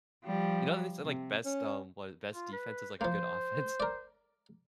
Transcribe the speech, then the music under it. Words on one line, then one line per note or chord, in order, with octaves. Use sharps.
you know, they said, like, best, um, wha best defense is like a good offense.
F3 G3
C3
C#4
F4
B4
F3 A#3 C5
A#4 D5